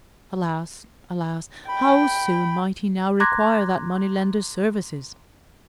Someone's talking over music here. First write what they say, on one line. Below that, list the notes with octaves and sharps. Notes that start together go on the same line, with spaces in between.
Alas! alas! how soon might he now require that money-lender's services!
G5 B5
A#5 C6 D6 F#6 G#6 A#6